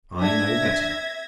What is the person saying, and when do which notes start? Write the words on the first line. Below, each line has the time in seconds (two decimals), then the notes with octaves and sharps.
I know better.
0.22 D4 E5 G#6 A#6